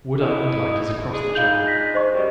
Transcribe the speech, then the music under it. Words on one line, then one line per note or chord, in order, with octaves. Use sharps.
Wood Island Light is across the channel.
B3 D#4 E4
D4 D#4 G#4
G#3 D4 D#4 F4 F5 G6
G6 A#6 B6
C5 D#5 C#6
F#2 G3